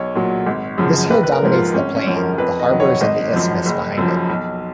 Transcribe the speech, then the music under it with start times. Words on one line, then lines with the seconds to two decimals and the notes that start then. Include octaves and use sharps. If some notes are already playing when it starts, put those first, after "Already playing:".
This hill dominates the plain, the harbours and the isthmus behind it.
Already playing: B1 C#5
0.15 A#2 F#3
0.47 G#1
0.78 F#2 C#3 F3
1.10 A#1 B4
1.23 B4
1.32 A#4
1.43 G#2 F3
1.53 F4
1.74 G#1 C#4
1.95 C#4
2.06 F#2 F3
2.16 A#4
2.38 F2 B4
2.60 D#5
2.70 D#3 F#3
2.80 C#5
3.01 G#1 D#5
3.33 F#2 F3
3.66 F#1
3.97 F#2 F3
4.29 B1